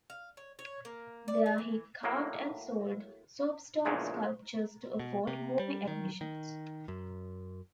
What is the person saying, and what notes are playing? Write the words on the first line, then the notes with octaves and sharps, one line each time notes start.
There he carved and sold soapstone sculptures to afford movie admissions.
F5
C#5
C#5
A#3
D5
G#4
E3
A2 F#3 A#3
A#1 E2 A#2 C#3 G#3 A3
B2
C3
G3
D#3
D#3
F#2